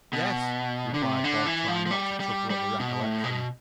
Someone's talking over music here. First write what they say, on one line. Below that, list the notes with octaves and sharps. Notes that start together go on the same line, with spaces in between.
"Yes," replied Bob, trying not to chuckle at the recollection.
B2
D3
C3
D3
E3
F3
F3
G3
G3
G3
B2
A2
B2